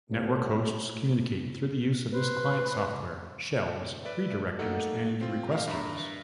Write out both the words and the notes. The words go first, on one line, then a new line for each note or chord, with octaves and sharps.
Networks Hosts communicate through use of this client software: Shells, Redirectors and Requesters.
C2 A2
B4 C5
B4 D5 E5
A3 A#3 D#4 A4 F#5
C4 F4
G4 A#4 E5 F5
G2 E5 A#5